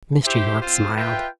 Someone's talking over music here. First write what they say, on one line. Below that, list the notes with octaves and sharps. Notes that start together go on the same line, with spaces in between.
Mr. Yorke smiled.
E4 G4 C5 E5
C4 F4 C5
F4 B4 E5 G5